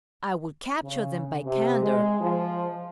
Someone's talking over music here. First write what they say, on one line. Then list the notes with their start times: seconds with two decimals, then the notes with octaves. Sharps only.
I will capture them by candour.
0.83 C#3
1.45 C3
1.82 G#3
2.21 F3